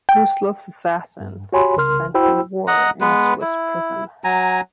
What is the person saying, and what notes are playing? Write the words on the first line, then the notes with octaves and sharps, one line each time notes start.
Gustloff's assassin spent the war in a Swiss prison.
G5
G2
F#4 G4 C#5 G#5 B5 C6
C2 C#3 A#4 C6 F6
E4 F#4 C5 G5 B5 E6
D#5 F#5 A#5
G#3 B3 B4
E4
F#3 G#5 A#5